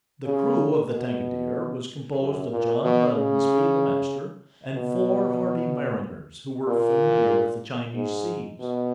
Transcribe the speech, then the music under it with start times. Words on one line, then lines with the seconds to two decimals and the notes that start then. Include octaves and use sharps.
The crew of the Tankadere was composed of John Bunsby, the master, and four hardy mariners, who were familiar with the Chinese seas.
0.25 C#3
0.90 B2
2.19 F#2
2.50 A#2
2.83 B2
3.14 C#3
4.75 B2
6.68 A#2
7.95 G#2
8.60 B2